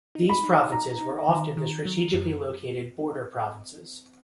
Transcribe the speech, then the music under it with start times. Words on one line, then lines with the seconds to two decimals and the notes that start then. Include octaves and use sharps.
These provinces were often the strategically located border provinces.
0.15 D#4
0.29 B5
0.43 D#4
0.72 D#4 A#5
1.01 D#4
1.29 D#3
1.57 D#3
1.85 F#3
2.14 F#2